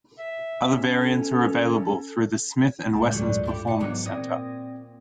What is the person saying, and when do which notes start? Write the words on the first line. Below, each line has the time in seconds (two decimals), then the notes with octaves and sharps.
Other variants are available through the Smith and Wesson's Performance Center.
0.19 E5
0.76 C#4
0.98 A4
2.94 C#2 A2 G#3 G5 A5
3.11 G2 A#2 D3 F#3 F4 G6
3.45 A3 E4 G4
3.67 D4 D#4 D5 C#7
3.80 G#2 C3 E3 F#3 G#3 B3
4.06 A#2 C4 D5 G5 D#6 G#6 A#6